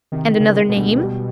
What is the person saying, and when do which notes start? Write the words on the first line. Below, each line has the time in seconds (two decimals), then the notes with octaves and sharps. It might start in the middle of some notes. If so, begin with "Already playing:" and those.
"And another name?"
0.12 C3 D#3
0.33 D#3
0.40 C#3
0.55 G#3
0.69 B2
0.76 D2
0.98 G3